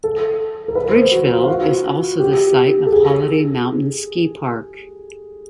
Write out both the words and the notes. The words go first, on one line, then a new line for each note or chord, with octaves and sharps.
Bridgeville is also the site of Holiday Mountain Ski Park.
A4
A#4
B4
C5
C5
F#4
F4
F#4
G4
A4
G#4